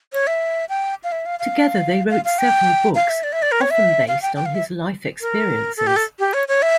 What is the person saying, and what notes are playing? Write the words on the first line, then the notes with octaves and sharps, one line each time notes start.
Together they wrote several books, often based on his life experiences.
C#5
E5
G5
F5
E5
F5
F5
F5
F5
G5
F5
E5
D5
E5
D5
A#4
C#5
E5
F5
G5
G5
F5
E5
A#4
A4
G4
A4
G4
C#5
C#5
E5